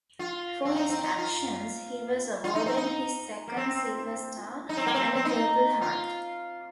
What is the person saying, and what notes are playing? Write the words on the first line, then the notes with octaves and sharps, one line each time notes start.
For his actions he was awarded his second Silver Star and a Purple Heart.
F4
C4
D#4
C4
D#4
F4
F4
D#4
C4
D#4
A#3
C4
D#4
C4
A#3
C4
C4
D#4
F4